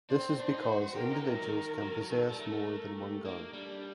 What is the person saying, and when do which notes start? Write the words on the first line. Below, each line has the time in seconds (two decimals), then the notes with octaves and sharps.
This is because individuals can possess more than one gun.
0.10 D4 C5
0.19 C4
0.30 C4
0.39 D4 C5
0.53 D#4
0.67 F#4
0.81 F#4
0.96 G4 A#4
1.11 D#4
1.24 A3 A#4
1.34 F#3
1.43 D#3
1.82 F#3
1.92 D#3
2.01 F#3
2.10 D#3 A4
2.30 G3
2.39 A3 A#4
2.67 A#4
2.96 G4
3.25 A#3 D#4
3.53 G3 D4